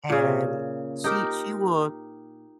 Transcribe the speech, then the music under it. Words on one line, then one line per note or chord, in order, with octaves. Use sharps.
and she she will
A#2 C#3
D#4 G4 A#4